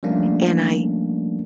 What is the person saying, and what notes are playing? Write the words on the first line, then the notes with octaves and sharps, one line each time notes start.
and I
F3 G3 A3 A#3 C#4 D4